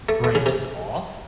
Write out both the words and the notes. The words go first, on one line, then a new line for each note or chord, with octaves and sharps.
branches off.
A3
A3
C#3
C3